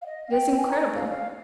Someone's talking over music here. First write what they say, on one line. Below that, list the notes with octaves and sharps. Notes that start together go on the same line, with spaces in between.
It is incredible!
F5
D#5
F5
G5
G#5
A#5
D#5
F5
F5